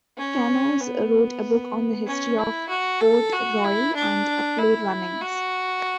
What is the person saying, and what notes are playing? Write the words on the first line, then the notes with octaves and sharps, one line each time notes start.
Kamoze wrote a book on the history of Port Royal, and a play, "Runnings".
C#4
B3
C#4
E4
F#4
A4
F#4
E4
D4
E4
F#4